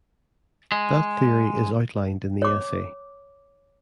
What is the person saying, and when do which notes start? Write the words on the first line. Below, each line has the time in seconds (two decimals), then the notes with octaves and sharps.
That theory is outlined in the essay.
0.72 G#3
2.42 C#5 D6